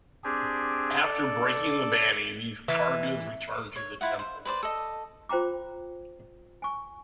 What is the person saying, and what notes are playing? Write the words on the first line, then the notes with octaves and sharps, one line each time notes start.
After breaking the Banni, these karagas return to the temples.
C4 D4 G4 G#4
A4 D5
E3
C#5
E4 F4 F#5
C5
B4 C5 D5
A4 D#5
F4 C5 G5 A#5 D6
G#5 C#6